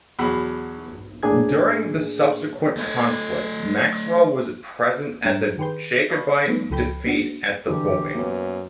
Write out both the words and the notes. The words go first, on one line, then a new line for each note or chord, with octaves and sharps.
During the subsequent conflict Maxwell was present at the Jacobite defeat at the Boyne.
E2 B2 F#3 B5
A2 A#3 D4 G#4 G#6
A3 D#5
G#2 G3 D4 A#5 E7
D#3 G4 G#4 B4 C6 G6
D5 D#5 F5 A5 B5 C#6
F3 G3 A3 B3 D#4
C#2 F3 A4 G5 B5 G6
A#3 D4 F#4
D3 E3 G4
F#2 A#3 B3